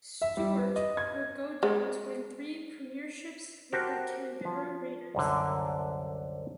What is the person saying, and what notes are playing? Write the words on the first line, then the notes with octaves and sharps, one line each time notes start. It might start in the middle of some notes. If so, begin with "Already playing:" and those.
Stuart would go on to win three premierships with the Canberra Raiders.
E5
G3
B4
D#5
G#6
G#3
F#4 G4 A#4 C5 A5
F3
C2 F#2 D3